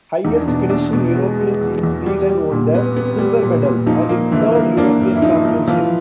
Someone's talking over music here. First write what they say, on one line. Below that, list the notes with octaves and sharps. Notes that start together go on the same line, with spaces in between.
Highest finishing European team Sweden won the silver medal and its third European Championship.
E2 D#4
D4
B2 D4
E2 D4
B2
G#3
G#3
E2
E2
G3
G3
A#2
B3
B3
G3
A#2
A#2
F3 D#4
A#3
D3 E3 E4
A#3
A#3 D4
G2
E4
F3 D#4
F3
E3 F3 F4